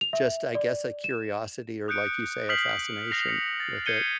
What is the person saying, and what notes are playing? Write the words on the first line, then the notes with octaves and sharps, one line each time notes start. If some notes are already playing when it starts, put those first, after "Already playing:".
just, I guess, a curiosity or, like you say, a fascination with it.
F7
E5
D5
E7
D#6 F#6 G6 C#7 D7
D#6 F6 G6 B6 C7 F#7
F6 A#6 C7 F7
A#6 C#7
A6
G6 G#6 C7 C#7 D#7 G7